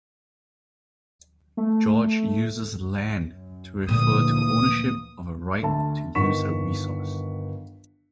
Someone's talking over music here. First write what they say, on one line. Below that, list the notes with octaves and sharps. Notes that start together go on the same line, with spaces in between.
George uses "land" to refer to ownership of a right to use a resource.
A3
F#2
D2 A#2 E3 F3 D#6
D2 E5 A5
G1 D#3 F#5 C#6 B6 E7